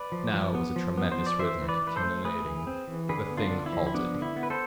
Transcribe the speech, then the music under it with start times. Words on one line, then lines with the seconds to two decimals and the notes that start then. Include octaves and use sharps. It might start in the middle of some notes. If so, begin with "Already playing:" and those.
Now it was a tremendous rhythmic cannonading. The Thing halted.
Already playing: B4 D5
0.12 F3
0.34 F3
0.55 B3
0.76 F3
0.98 B3
1.12 C5
1.18 F3
1.26 D5
1.39 E3 C5 E5
1.61 E3
1.68 B4 D5
1.82 E3
1.87 B4
1.96 A4 C5
2.03 A3
2.24 A3 G#4 B4
2.46 E3
2.67 C4
2.88 E3
3.09 D3 G#4 B4
3.31 B3
3.37 D4 F4
3.52 D3
3.66 E4
3.73 F3
3.87 E4
3.94 B3 D4
4.15 D3
4.22 E4
4.36 B3
4.43 B4
4.50 A4 C5